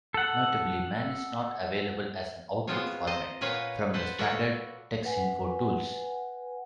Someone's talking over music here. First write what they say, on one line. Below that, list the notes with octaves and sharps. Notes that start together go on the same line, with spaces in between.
Notably, man is not available as an output format from the standard Texinfo tools.
A4 F#5
G#3 B3 C4 F4 C5 C#5
C5 D#5 A5 A#5
A#2 B4 C#5 D#5 F5 F#5
B4 C5 F#5 A5
F#4 A4 C#5 D5 F5 F#5
B4 F#5 G#5